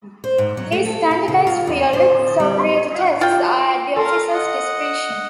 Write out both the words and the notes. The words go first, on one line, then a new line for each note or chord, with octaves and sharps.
These "standardized field sobriety tests" are at the officer's discretion.
C5
G#2
F#3
A3
A4
A4
C#3
F4
E2
C5
G3
F4 G5
D6
A4 A#4 F5 C6
D#5 F#5